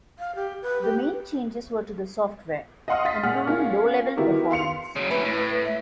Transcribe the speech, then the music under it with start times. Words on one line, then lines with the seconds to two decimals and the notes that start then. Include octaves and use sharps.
The main changes were to the software, improving low-level performance.
0.19 F5
0.35 G4
0.62 B4
0.82 G4
2.88 D#5 F5 F#5 C6 D#6 F6
3.05 D#5 F5 A6 B6
3.23 A#2 G#4 F#5 F6
3.46 A#3 C#4 F4
4.17 D#3 B3 E4 F#4 G4 A#4
4.51 F5 C6 C#7 F7
4.96 C#3 F#3
5.10 C#4 E4 B4
5.25 A2
5.65 E5